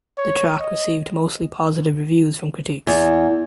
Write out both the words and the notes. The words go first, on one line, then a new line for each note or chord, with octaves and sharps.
The track received mostly positive reviews from critics.
C#5
D#5
E2